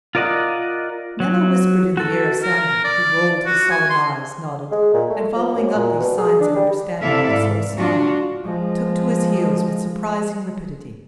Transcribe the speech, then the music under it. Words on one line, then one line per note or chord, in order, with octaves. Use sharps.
Nello whispered in the ear of Sandro, who rolled his solemn eyes, nodded, and, following up these signs of understanding with a slow smile, took to his heels with surprising rapidity.
F4 A#4 D5 D#5 F#5
F#3
F#4 A4
A#4
D5
F#4
G#5
C6
G#3
A#2
A3
F3
F#2
A#2
B2
G#4
D4
G3
C3 E4 A4 D5 E5 F5
G#2
D4 F4 F#4
F3 G#3